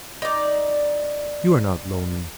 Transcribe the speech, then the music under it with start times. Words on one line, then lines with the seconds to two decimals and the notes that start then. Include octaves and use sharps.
You are not lonely.
0.22 D#4 D5